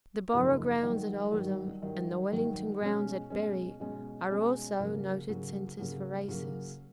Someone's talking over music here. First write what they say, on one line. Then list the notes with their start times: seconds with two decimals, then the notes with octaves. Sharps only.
The Borough grounds at Oldham and the Wellington grounds at Bury are also noted centres for races.
0.32 F#2 C#3 F3 A#3 D#4
0.83 G2 D#3 F#3
1.32 G2 D#3 F#3
1.82 G2 D#3 F#3
2.31 G2 D#3 F#3
2.81 B2 G#3 C#4
3.30 B2 G#3 C#4
3.80 B2 G#3 C#4
4.30 B2 G#3 C#4
4.80 C#3 F#3 A#3
5.29 C#3 F#3 A#3
5.79 C#3 F#3 A#3
6.28 C#3 F#3 A#3